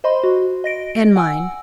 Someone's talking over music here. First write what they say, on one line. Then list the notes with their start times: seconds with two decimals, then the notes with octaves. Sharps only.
"And mine."
0.04 C5 D#5 B5 C6
0.23 F#4
0.64 D#5 A#6 D7
1.16 F#5 G#5 E6